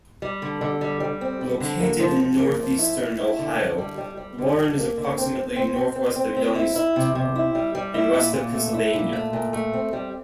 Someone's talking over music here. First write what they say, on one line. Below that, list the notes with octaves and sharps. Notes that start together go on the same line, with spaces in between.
Located in northeastern Ohio, Warren is approximately northwest of Youngstown and west of Pennsylvania.
G3
D3
D3
G3
G3
C4
G3
D3
A#3
F3
F3
A#3
F3
E4
E4
E4
D3
D3
G3
G3
G3
D3
G3
A#3
D3
C4
C4
C4
C4
C4
C4
C4
E4
E4
C3
C3
E4
G3
G3
E4
A#2
A#2
A3
E4
A#2
A3
A#2
A3
C4
G3